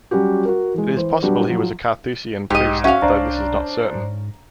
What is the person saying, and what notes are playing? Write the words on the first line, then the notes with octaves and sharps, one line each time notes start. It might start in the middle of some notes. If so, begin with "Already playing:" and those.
It is possible he was a Carthusian priest, though this is not certain.
F#3 G3 C#4 F#4 G4
F#4 A#4
E3 G#3
E3 C5
F#3 G3 B3 D4 F#4 G4
F3 F#3
B1 G#2 G4 D#5
C#4 F#4 E5 F5
C2 D4 C5 D5 A#5
G#2